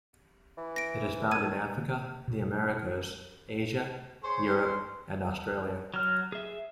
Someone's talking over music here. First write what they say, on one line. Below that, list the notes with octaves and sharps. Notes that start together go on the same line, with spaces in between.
It is found in Africa, the Americas, Asia, Europe and Australia.
E3
A#6 D7
D#2 G#6 D#7
A#3
B2
G#4 C5 C#5 C6
F#3 F6
G#4 E5